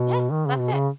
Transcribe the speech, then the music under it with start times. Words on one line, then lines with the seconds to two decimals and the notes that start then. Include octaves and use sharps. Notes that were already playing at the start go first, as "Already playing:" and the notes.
Yeah, that's it.
Already playing: B2
0.32 D#3
0.46 C#3
0.59 B2
0.73 C#3